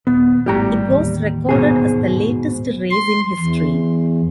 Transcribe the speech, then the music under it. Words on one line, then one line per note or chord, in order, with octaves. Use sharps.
It was recorded as the latest race in history.
D#1 B3
G#1 A2 G3 G4 A#5
A1 D#2
G#2 B2 G#4
C6
E2